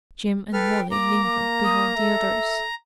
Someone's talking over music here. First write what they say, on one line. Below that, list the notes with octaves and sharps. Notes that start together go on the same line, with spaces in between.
Jim and Wally lingered behind the others.
A4 B4 G5 F6
A#3 A#5 D6
A#3
D#6
A4 E5